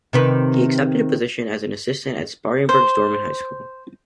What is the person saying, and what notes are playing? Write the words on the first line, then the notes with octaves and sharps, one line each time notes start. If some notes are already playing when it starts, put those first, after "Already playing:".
He accepted a position as an assistant at Spartanburg's Dorman High School.
C3 D#3 B4
C5